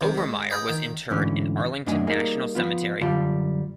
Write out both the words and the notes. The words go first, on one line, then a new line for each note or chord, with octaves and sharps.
Overmyer was interred in Arlington National Cemetery.
C3 D#3
G#3
G#4 B4 D#5 G5
D#3 G5
D2 G#2 D3 E3 C#4
F#2 A3 D4 D#5 G#5
G3 A#3 D#4 G#4
F3 B3 F4
F#2 D3 G3 F4 D5 A5